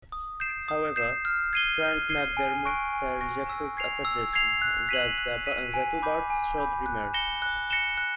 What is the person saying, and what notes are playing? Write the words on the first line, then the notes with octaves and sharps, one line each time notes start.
However, Frank MacDermot rejected a suggestion that the two parties should merge.
D#6
G6 C7 E7
D#6
G6 C7 E7
F6
G#6 C7 D#7 G7
F6
G#6 C7 D#7 G7
G#5
C#6 F#6 A#6 D7
G#5
C#6 F#6 A#6 D7
E6
G#6 C7 F7
E6
G#6 C7 F7
F#6
B6 D#7 F#7
F#6
B6 D#7 F#7
G#5
B5 D6 G6
G#5
B5 D6 G6
F#6
A#6 C#7 E7 G7
F#6
A#6 C#7 E7 G7
F#6